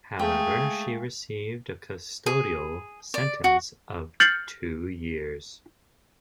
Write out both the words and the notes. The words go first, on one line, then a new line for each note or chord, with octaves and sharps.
However she received a custodial sentence of two years.
G#3 A3 G#4 F5 G5 G#5
G#4
D5
F#4
F6 G6 A6 C7 C#7 F#7